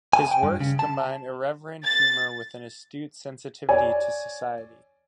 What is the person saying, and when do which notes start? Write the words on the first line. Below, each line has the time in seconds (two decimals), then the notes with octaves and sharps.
His works combine irreverent humour with an astute sensitivity to society.
0.13 G#5
0.31 G5
0.43 G2
0.61 C#3
0.79 A5
1.84 A6
3.69 C#5 D5 G#5